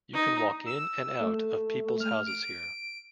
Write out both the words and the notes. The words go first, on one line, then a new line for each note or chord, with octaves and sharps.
You can walk in and out of people's houses here.
D#4
E6
A3
F6
D7